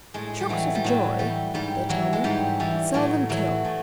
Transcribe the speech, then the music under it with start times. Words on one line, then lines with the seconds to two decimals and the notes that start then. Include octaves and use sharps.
Shocks of joy, they tell me, seldom kill.
0.14 A2 G#3
0.40 G3
0.49 E3 F#3
0.75 G3
0.84 A2 F#3
1.19 E3 G3
1.54 G#2 G3
1.89 E3 F#3
2.13 G#3
2.24 G#2 G3
2.60 E3 G3
2.94 A2 F#3
3.29 E3 F#3
3.64 A2